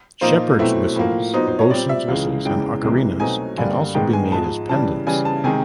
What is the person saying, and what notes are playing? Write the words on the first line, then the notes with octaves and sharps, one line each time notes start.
Shepherd's whistles, bosun's whistles, and ocarinas can also be made as pendants.
A#2 F3 A#3 D#4 C5
B2 F#3 A3 C4 E4
A2 F3 A#3
A#2 F#3 B3 D#4 C5
C5
C#5
A#2 G3 C4 D5
E5
C#2 C#3 E3 G#3 F5
E2 C#3 E3 G#3 G5
C2 C3 E3 G#3
B2 F#3 A3 C4 D#4 G#5
G2 D3 G3 A#3 D4 G#5
G#2 D#3 G#3 B3 G5
G#5
G#2 F3 G#3 A5
C#3 E3 G3 A5
C#3 E3 G3 G#5
A5
C3 D#3 G#3 G#5